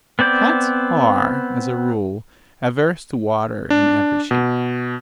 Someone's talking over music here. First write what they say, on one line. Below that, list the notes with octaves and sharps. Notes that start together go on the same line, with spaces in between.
Cats are, as a rule, averse to water in every shape.
B3 C4 D5 G6
D4
B2